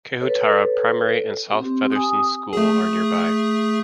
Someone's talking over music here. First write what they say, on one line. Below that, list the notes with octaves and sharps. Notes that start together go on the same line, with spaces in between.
Kahutara Primary and South Featherston School are nearby.
A4 B4 C#5
C4 G4
G#5 D#6
A3 G#4